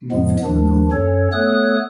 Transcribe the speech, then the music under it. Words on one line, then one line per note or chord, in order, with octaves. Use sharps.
Moved to Lenovo.
F2 A2 F3 G#3 B3
D#2 D#3 F3 D4
F#2 C#4 A4 C#5
A3 B3 A4 C#5 D#6 F#6